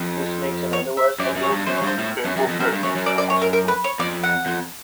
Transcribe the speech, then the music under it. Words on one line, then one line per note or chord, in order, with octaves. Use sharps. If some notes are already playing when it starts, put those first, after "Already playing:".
This makes an otherwise ideal region unfavorable for tropical cyclones.
Already playing: F2
C#5
E5
F#2 D5
F#2
C#5
G2
F#2 C5
C#5
G2
C5
A2
F#2
F#2
F2
F#2 C5
G2
F#2 C#5
F#2
D5
D5
C#5
A#4
A#4
B4
C#5
F2 D5
F#5
F2